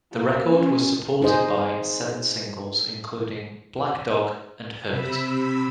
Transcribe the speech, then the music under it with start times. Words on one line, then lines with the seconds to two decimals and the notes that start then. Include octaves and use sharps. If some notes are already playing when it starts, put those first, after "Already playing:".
The record was supported by seven singles including "Black Dog" and "Hurt".
0.12 A#3
0.49 C#4
1.22 D#4 G#4 C5 D#5
4.88 C3 B5 E6